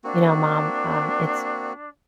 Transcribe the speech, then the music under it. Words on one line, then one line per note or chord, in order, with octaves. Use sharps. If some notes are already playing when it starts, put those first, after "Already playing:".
"You know, mom, um, it's
A#3 C4 D4 F#4